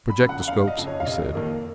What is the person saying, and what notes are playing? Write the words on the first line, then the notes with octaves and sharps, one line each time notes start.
"Projectoscopes," he said.
B5
F2 C#3
F#5
F#1 F5
D#5
F2 C#3
C#5
F5
F1 D#5
F2 D#3 A#3